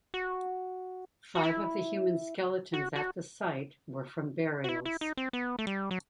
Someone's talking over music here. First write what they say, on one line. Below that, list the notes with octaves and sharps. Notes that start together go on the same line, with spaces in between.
Five of the human skeletons at the site were from burials.
F#4
F#4
E4
F#4
F#4
F#4
E4
E4
D#4
C4
B3
A3
G3
F#3